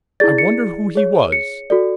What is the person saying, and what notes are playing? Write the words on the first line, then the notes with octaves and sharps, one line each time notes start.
"I wonder who he was."
E4 G#4 D5 A6
C#7
G#4 C#5
C#7
F#4 A4 D5